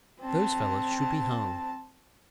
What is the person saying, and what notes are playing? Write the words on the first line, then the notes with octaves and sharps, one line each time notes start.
Those fellows should be hung.
C4 A5